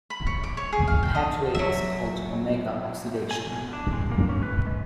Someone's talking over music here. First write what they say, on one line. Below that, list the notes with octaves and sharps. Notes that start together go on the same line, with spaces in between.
The pathway is called omega oxidation.
B5
C#5
D6
C#5
G#4
F5
G5
D#5
F#3 E5
G#5
B2
D4
G#3
A#3
C#4
B4
G#3